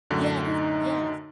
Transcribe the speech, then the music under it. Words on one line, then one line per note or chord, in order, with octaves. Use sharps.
Yes. Yes.
F#2 A2 D3
D#4